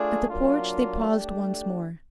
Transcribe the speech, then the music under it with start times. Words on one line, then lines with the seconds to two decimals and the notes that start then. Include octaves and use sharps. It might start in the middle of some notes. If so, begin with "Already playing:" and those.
At the porch they paused once more.
Already playing: A3 D4 F4 G#4
0.30 F#3 A#3 D4 F4
1.09 A3 D4 G4